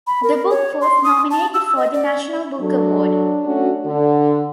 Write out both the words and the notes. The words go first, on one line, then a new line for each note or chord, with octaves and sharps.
The book was nominated for the National Book Award.
B5
A#4
C#5
C6
D#6
A5
E6
D#5
D5
F#3 D4 A4
A3 C#4 F#4
D3